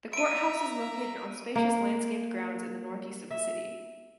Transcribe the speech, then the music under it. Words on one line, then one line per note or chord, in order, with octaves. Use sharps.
The courthouse is located on spacious landscaped grounds in the northeast of the city.
E5 A#5 D7 D#7
A#3
E5